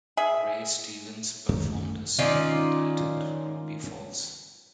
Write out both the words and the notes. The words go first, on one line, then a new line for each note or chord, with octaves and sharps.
Ray Stevens performed a song entitled "Ruby Falls".
G#4 E5
F#2 D#3 A3
D#3 C#4 F4 D5